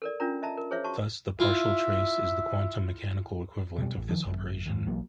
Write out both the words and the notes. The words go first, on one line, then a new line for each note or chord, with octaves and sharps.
Thus the partial trace is the quantum mechanical equivalent of this operation.
A4 A#4 D5
C#4 D4 F4 A#4 A#5
D#5 E5 A5 A#5
A#4
G#4 C5 C#5 E5 F5
F#4 A5 C#6
E4 F4 E5
B2 G3
A1
D#3 F3
G#1 F#2
D#2 G#2
B1 E3 F#3 A#3